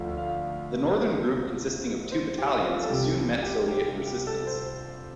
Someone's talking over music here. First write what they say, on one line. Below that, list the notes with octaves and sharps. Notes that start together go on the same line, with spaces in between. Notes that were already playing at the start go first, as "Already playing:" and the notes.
The northern group consisting of two battalions soon met Soviet resistance.
Already playing: D2 D3 F3 F5
F5
C5
G4
F4
A4
C2 C3 F3 G4
G4
G4
G4
A4
C5